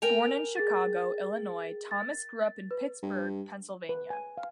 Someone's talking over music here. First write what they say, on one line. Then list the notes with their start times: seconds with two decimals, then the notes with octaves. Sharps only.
Born in Chicago, Illinois, Thomas grew up in Pittsburgh, Pennsylvania.
0.02 A#4 G5 G#5 F7
0.56 G#4 A6
1.91 A6
2.71 B4
3.03 G2
3.89 B4
4.10 G#5
4.37 F5